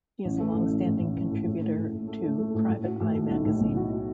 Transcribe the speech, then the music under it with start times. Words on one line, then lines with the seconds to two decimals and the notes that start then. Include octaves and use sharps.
He is a long-standing contributor to "Private Eye" Magazine.
0.25 A1
0.39 A3
0.54 A1
0.71 A1
0.85 A2
1.01 A1
1.17 A1
1.31 A2
1.47 A2
1.62 A2
1.77 A2
1.93 A3
2.08 A3
2.23 A3
2.38 A3
2.54 A2
2.70 A2
2.84 F#4
3.00 A2
3.14 A3
3.30 B1
3.45 A2
3.61 B1
3.77 F#4